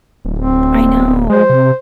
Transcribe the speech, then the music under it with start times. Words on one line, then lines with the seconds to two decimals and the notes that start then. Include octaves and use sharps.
I know.
0.25 D1
0.38 C4
1.30 G#3 C5
1.50 C3